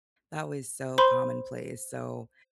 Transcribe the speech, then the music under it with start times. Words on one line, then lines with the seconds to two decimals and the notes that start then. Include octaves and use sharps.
that was so commonplace, so
0.98 C5 B5 C6